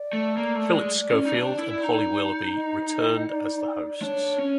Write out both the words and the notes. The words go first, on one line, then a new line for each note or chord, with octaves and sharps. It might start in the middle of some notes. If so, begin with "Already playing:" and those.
Phillip Schofield and Holly Willoughby returned as the hosts.
Already playing: D5
A3
A#3
A3
G#3
C#4
D#4
D4
E4
D#4
D#5
D5
D4 C#5
C#4